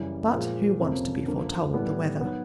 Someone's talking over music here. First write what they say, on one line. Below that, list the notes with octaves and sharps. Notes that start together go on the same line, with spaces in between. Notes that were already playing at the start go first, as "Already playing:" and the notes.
But who wants to be foretold the weather?
Already playing: F#2 C#3 E3 G3
A#2 F3 G#3
F2 C3 F3 A#3 C#4
F#2 D3 F3 A#3
A2 E3 G3 B3
D#3 F#3 B3